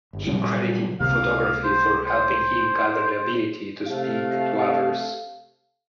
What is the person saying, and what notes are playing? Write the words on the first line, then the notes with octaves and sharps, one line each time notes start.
He credited photography for helping him gather the ability to speak to others.
G1
A#2 C#3 F#3 G3
C#2 C3 A#3 F5
C5
C5
C3 A3 F5